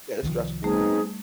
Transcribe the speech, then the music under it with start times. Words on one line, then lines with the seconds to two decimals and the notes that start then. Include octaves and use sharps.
Yeah, that's stress
0.23 C2 D#3 F3
0.63 G3 A3 B3 C4 D#4 G#4